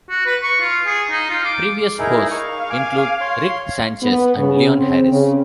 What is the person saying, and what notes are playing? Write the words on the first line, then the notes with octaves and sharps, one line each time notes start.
Previous hosts include Rick Sanchez and Leon Harris.
F#4
B4
C#6
F4
G#4
D#4
F4
D6
D#4 E4 G#4 A#4
F5 C#6
G#5 D6
C#5 C6
B3
C#3
C4
C#3